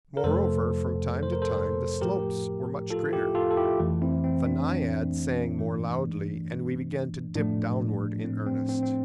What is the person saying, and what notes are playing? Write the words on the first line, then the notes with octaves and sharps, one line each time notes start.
Moreover, from time to time the slopes were much greater, the naiad sang more loudly, and we began to dip downwards in earnest.
A#4
F2 C3 F3 A3 A4 C5
C5
A#4
A4 C5
A2 F3 A3 G4 A#4
F4 A4
E4 G4
F4 A4
A4
E4 G4
F2 E3 A3
C4 E4
C4
D4
D4
G2 E3 A3
A2 F3 A3 D4
C4
C4
C4
C4